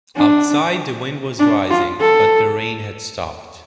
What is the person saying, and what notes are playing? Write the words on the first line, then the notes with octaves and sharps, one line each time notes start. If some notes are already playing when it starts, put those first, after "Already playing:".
Outside the wind was rising, but the rain had stopped.
D4
D4
F4
A4